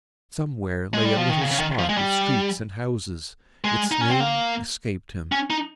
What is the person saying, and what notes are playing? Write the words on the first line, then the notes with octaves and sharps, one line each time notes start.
Somewhere lay a little spot of streets and houses; its name escaped him.
G#3
G3
F3
D#3
C#3
C#3
D#3
F3
G#3
G3
G#3
D#4
C#4
C4
A#3
C#4
D#4